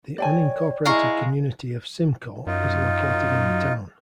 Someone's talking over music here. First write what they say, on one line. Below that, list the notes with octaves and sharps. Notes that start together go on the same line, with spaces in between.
The unincorporated community of Symco is located in the town.
C#5 D5 G5 G#5
G#3 E4 F5 A#5 C#6
F#2 D#4 F4